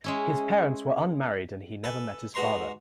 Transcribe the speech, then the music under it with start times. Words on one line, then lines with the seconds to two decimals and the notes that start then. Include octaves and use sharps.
His parents were unmarried and he never met his father.
0.04 G#3 C#4 E4
1.84 A4 B4 G#5
2.34 G#2 F#4 B4 A#5 C6 C#6